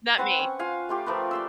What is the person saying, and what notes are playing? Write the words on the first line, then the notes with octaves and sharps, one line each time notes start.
Not me.
C4 B4 F#5 C#6
C#4
F4 F5 G#5
A3 F4 G4
F3 A3 A#4 B4
D5 C6 E6